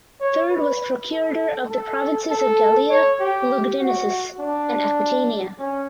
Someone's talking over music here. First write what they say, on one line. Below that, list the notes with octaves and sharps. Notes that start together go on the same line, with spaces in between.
Third was procurator of the provinces of Gallia Lugdunensis and Aquitania.
C#5
B4
A4
A4
A4
C#5
G4
F#4
D4
C#4